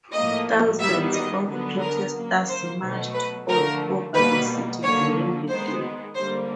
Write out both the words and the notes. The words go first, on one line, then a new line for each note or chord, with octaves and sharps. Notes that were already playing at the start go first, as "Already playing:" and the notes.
Thousands of protesters marched all over the city during the day.
A2 F3 A#3 D#5
D#3 G3 B3 E5
D#5
D3 F#3 B3
A#4
C#3 F#3 A#3
C5
B2 F#3 A3
B4
D3 F3 A3 A#4
B2 G3 A#3 B4
D3 F#3 A#3 C#5
D#3 G#3 B3 C5
D3 G3 A#3 C5